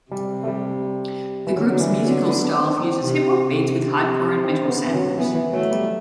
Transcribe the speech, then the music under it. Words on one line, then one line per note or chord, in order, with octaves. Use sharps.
The group's musical style fuses hip hop beats with hardcore and metal samples.
C3 G3
A3
G3
E3
D3 F#3
F#3
E3
F#3
B3
D4
C4
D4
C4
C3
C3
C4
B3
E3
F#3
E3 B3
E3
F#3 A3
G3